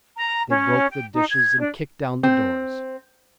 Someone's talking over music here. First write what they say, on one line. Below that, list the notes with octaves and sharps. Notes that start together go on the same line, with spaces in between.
They broke the dishes and kicked down the doors.
A#5
C#4
G5
D#4
G#6
D4
C4